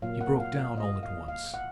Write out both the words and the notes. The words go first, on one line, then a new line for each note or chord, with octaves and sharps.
He broke down all at once.
A#2 F#3 A#3 F5
F#5
F5
F5
D#5
F5
F5
F#5